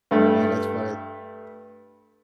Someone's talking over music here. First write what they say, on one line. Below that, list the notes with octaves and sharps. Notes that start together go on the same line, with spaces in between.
hey, that's funny
G2 A3